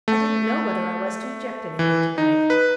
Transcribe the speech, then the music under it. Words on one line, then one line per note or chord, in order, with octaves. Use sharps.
I didn't know whether I was to inject anything to-night.
A3
E3
D#4
B4